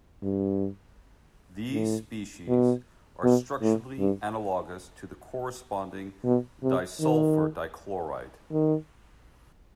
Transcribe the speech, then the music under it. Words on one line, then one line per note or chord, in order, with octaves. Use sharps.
These species are structurally analogous to the corresponding disulfur dichloride.
G2
A2
B2
B2
A2
G2
B2
C3
D#3
D#3